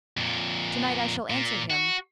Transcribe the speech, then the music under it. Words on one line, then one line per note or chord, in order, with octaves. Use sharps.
To-night I shall answer him.
F2 A#2
A#2
F#4